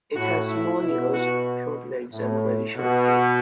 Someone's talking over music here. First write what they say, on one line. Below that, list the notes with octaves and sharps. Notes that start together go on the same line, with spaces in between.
It has small ears, short legs and a very short tail.
A2 F#4
E4
B2 E4
F#4
A2
B2 F#4